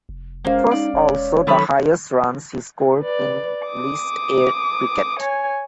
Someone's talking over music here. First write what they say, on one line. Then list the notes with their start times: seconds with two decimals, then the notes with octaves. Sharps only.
It was also the highest runs he scored in List A cricket.
0.09 F1
0.45 G#3 A#3 C#4 C5 F5
0.71 D#4 D5
0.94 E1 C#5
1.47 D#3 F#3 A3 B3 B5
3.01 B4 D5
3.67 D6 D#6
5.20 C#5 G#5